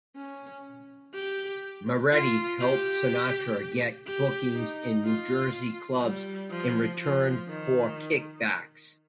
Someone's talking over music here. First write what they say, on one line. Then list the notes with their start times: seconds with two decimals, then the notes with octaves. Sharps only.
Moretti helped Sinatra get bookings in New Jersey clubs in return for kickbacks.
0.16 C#4
1.14 G4
2.12 F4
2.60 G4
4.06 G4
4.55 D#4
5.04 F4
6.02 G3
6.50 F3
6.99 F3
7.48 D#3